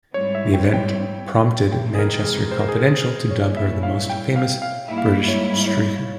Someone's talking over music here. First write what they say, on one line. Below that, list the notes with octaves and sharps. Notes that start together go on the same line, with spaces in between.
The event prompted Manchester Confidential to dub her the most famous British streaker.
G#2 G3 C4 E4 C#5
E5
G5
G5
C3 E3 G#3 G5
G#4
A#4
G#4
C5
A#4
G#4
A#4
A#2 G3 C#4 E4 C#5
E5
F5
G5
F5
F5
G#2 G3 A#3 E4 E5
F5
E5
C#5
C#5